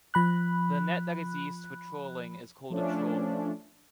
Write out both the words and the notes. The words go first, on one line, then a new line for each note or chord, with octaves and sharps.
The net that is used for trawling is called a trawl.
F3 B5 F#6
F3 A3 C#4 D4